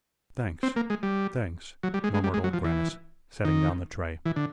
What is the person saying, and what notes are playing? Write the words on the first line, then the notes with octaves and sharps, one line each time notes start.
"Thanks, thanks," murmured Old Grannis, setting down the tray.
C4
A#3
G#3
G3
F#3
G3
G#3
G#3
G3
G#3
F#3
F3
E3
D#3
E3
D3